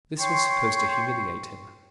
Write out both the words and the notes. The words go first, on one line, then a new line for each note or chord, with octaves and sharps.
This was supposed to humiliate him.
C#5 G5 C6 C#6